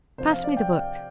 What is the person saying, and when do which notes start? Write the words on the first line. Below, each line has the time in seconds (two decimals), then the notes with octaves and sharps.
Pass me the book.
0.18 C3 F3 C5
0.30 F5
0.44 D5
0.57 G5
0.78 F5